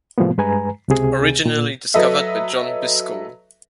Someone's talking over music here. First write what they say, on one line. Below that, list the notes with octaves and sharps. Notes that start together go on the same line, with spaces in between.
Originally discovered by John Biscoe.
A2 C3 F3 G#3 A#3 B3
G2 G#3 B4 G#5 A#5
C#2 C3 G#4
A#2
F#3 A4 B4 D#5 E5